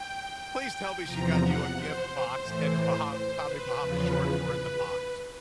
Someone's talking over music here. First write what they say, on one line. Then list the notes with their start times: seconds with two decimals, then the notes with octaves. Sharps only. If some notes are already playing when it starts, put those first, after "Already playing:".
Please tell me she got you a gift box, and Baha Tommy Bahamas shorts were in the box.
Already playing: G5
0.37 G5
1.05 E2 C3 F3 A#5
1.40 F#5
1.74 C5
2.42 A2 E3
3.10 C5
3.44 B4
3.78 E2 C#3 F3